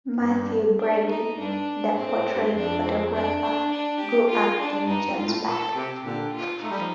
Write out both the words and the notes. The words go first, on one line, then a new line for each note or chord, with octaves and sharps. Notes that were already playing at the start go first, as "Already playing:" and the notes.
Mathew Brady, the portrait photographer, grew up in Johnsburg.
G2
D4
D#4
G2 D4
A2 C4
A2
G2
F2 D4
C4
D4
D4
D4
G4
F4
D4
G2 D#4
F2
F4
A2
A#2 A4
C3 G4
A#2 D3 G4
F4
A3 D#4
G3
F3